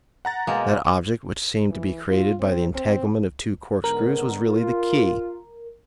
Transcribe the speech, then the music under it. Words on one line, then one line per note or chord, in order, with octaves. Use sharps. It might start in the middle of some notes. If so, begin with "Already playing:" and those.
That object which seemed to be created by the entanglement of two corkscrews was really the key.
F#5 A#5 A6
B2 G#3 A#3
E3
F4
C4
C4
G#2 D3 B3 A#4
F4